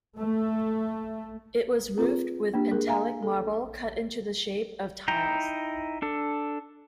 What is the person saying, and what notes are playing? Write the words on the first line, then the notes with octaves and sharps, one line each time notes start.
It was roofed with Pentelic marble cut into the shape of tiles.
A3
C4 F4 G#4 B4
A#3 D4 G4
G#4 A#4
E5 F5 G#5 A#5
A4
D#4 E4 G5 A#5
D4 A4